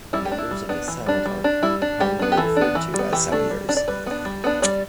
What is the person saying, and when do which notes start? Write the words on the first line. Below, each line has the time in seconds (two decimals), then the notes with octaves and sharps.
Members of the Senate are commonly referred to as senators.
0.13 G3 E4
0.25 G4
0.32 D4
0.38 E4
0.51 G3
0.69 B3 D4
0.88 E3
1.06 G3 D4
1.26 G3
1.44 D4
1.63 G3 E4
1.82 D4
2.01 G3 G4
2.19 B3 D4
2.32 G4
2.37 E3 A4
2.56 B3 D4
2.75 E3
2.94 G3
2.99 B3
3.13 E3 G4
3.32 A3 D4
3.50 G3
3.69 D4
3.77 D5
3.88 G3 B4
4.06 B3 D4
4.25 G3
4.44 B3 D4
4.62 G3 D5